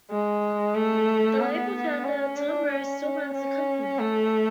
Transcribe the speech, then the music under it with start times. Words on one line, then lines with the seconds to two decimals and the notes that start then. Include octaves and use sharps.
The label founder Tom Rose still runs the company.
0.11 G#3
0.75 A3
1.40 B3
2.04 C#4
2.37 D4
2.70 C#4
3.34 C#4
3.99 A3